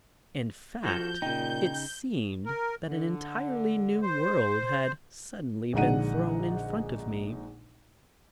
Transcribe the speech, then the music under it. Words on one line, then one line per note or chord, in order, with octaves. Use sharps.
In fact it seemed that an entirely new world had suddenly been thrown in front of me.
F3 F4 F#4 A4 G6
A#2 C#3 D#4 G5
A#4
D3
C5
A#1 D3 G#3 D#4 F#5 D#7